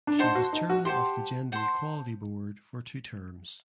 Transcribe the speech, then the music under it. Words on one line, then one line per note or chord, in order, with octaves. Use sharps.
She was chairman of the gender equality board for two terms.
D4
D#4 C5 F#5 A5 C6
F#4
D#4
F#4
G4 C5 F#5 A5 C6
C5 F#5 A5 C6